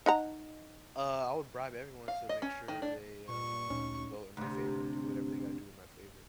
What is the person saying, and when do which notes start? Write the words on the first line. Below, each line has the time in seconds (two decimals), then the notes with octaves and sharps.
Uh, I would bribe everyone to make sure they, uh, vote in my favor, do whatever they gotta do in my favor.
0.06 D#4 F#5 A#5
2.08 F5
2.29 D#5
2.42 C#4
2.68 D#3
2.82 D4
3.29 A#2 C#6
3.70 D2 A#2 C#4 D#4
4.37 D2 C3